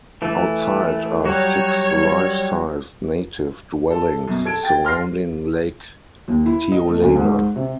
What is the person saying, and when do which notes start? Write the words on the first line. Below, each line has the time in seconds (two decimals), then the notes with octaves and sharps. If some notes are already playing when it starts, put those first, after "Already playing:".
Outside are six life-sized Native dwellings surrounding Lake Tiulana.
0.22 E3 A3
1.25 F#3 G3 F#4 C#5
3.91 A4
4.28 F#2 B2
4.45 A4 G#6 D7
4.63 G5 A6
4.85 C6 F6 A#6 C7
6.28 D#2
6.46 E4
6.72 D#5
6.87 A3
7.02 D2
7.16 G#2
7.56 C3